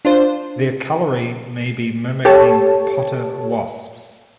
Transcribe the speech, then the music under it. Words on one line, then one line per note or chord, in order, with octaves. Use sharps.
Their coloring may be mimicking potter wasps.
D4 F4 C5
G4 A4 C#5 A5